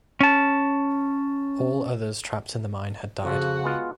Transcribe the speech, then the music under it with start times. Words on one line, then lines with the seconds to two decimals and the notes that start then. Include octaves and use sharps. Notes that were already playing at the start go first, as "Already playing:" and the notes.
All others trapped in the mine had died.
0.21 C#4 A5
3.24 F2 C#3 F3 F#4 F#5
3.64 G#3 B3 F4